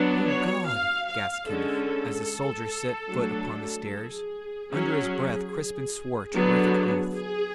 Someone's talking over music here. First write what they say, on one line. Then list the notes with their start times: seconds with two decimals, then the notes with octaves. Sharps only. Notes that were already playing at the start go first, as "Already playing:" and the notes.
"Oh, God!" gasped Kenneth, as the soldier set foot upon the stairs. Under his breath Crispin swore a terrific oath.
Already playing: F#3 B3 D4
0.27 C#5
0.67 F5
1.08 F5
1.47 D3 G#3 C#4 A4
3.10 F#3 A3 D4
3.91 G#4
4.72 F#3 C#4
6.33 D3 F#3 B3 D4
7.14 G#4